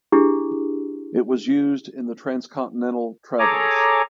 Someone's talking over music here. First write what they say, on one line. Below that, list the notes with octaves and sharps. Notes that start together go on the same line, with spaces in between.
It was used in the Transcontinental Traverse.
D4 E4 G4 G#4
G#4 A4 C#5 G#5 A#5 D6